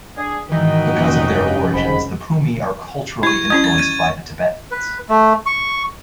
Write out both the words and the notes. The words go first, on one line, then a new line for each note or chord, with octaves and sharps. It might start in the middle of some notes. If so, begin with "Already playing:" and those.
Because of their origins, the Pumi are culturally influenced by the Tibetans.
D4 G#4
G#2 D#3 E3 D#4 F#4 B4 G5
F1 A#2 G3 C#4
G2
F#1 G#2 B5
E4 C#6 G#6
G3 C#4 E4 G#6
A6
G#6 D#7
B4
A3
C#6